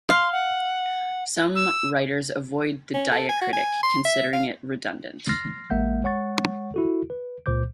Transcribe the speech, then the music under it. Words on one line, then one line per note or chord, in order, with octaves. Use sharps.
Some writers avoid the diacritic, considering it redundant.
F5 C6
F#5
E6
C#4
A4
G#5
F#4
G#5
C6
E5
F5
C6 F6 A6 A#6 C7
A1 G#3 A#3 E5 F#5 G6
G#3 C#5 F#5 C#6 A6
E4 F#4 A4
B4
C#2 A#2 C5 D6 G6